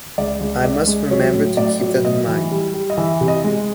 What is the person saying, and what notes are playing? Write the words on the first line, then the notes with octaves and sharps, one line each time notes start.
"I must remember to keep that in mind".
C#2 D5
C#2
C#2 D5
G#3
F#3 C#5
A2
A2 D5
F#3
A2 D#5
E3
G3
G3
D#5
E3 E5
C3
D#5
G#3